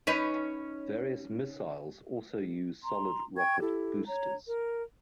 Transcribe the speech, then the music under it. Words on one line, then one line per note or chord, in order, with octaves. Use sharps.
Various missiles also use solid rocket boosters.
C#4 D#4 B4
A#5 C6
G5 C#6 G#6
E4 G4 A4
C#5 A#5
A#4